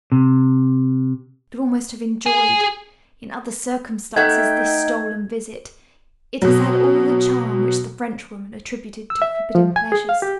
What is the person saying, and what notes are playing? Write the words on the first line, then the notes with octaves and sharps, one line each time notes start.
I could almost have enjoyed--in other circumstances--this stolen visit: it has had all the charm which the French-woman attributed to forbidden pleasures.'
C3
G#4 G#5
A3 D#4 E5 F#5 G5 G#6
B2 F#3
E6
E5
F3
G#5
G#4
F5
G4